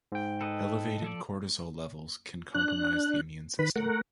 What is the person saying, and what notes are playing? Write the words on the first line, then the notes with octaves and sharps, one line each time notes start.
Elevated cortisol levels can compromise the immune system.
G#2 G5
A4 B4 D#5
F3 A4 D5
D4 F#6
D#3 B4 B5
A3 A#4 F#5